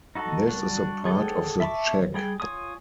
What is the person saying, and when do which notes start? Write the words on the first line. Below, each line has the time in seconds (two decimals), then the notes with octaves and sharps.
This is a part of the check.
0.15 D#4 F#4 A4
0.47 G3 D4 F#4
1.06 G#4 A4 F#5 G5
1.60 E5 A5 B5 C#6 D6
2.14 G3 G#4 G5
2.40 F4 C#5 G#5 D#6